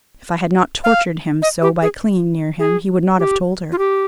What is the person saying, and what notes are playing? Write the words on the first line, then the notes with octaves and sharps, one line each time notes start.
If I had not tortured him so by clinging near him, he would not have told her.
F5
D#5
G4
G#4
G#4
G4
F4
G4